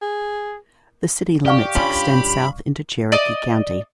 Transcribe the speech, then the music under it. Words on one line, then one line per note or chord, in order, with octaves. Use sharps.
The city limits extend south into Cherokee County.
G#4
G4 D5 F5 C#6
G2 C#4 F4 B5
D5 D#5